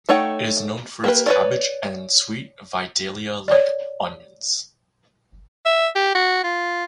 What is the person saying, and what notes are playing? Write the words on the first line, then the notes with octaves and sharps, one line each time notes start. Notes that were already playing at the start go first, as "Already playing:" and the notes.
It is known for its cabbage and sweet Vidalia-like onions.
A3 D#4 C#5 F#5 G5
A#3 G4 B4
B4 C#5 D5
C#5 D5
E5
G4
F#4
F4